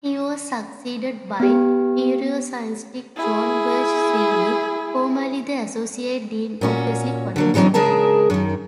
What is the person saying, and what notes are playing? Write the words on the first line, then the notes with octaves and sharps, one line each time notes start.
He was succeeded by neuroscientist Joanne Berger-Sweeney, formerly the Associate Dean of Wellesley College.
B3 G4
E4 G#4
A#2 C#4 F#4
D3 F#3 A#3
D3 E3 F#3 C4 D#4
C#3 G#3 G#4 A#4 E5 A5
F#2 D#3